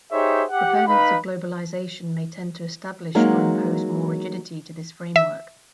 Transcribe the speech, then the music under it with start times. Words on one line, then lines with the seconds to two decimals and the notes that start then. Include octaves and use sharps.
Proponents of Globalization may tend to establish or impose more rigidity to this framework.
0.12 D#4 G4 G#4 C5 C#5 E5
0.50 G4 F#5
0.86 D#4 B4 F5 B5
3.15 F#3 G#3 A#3 D#4
5.16 E5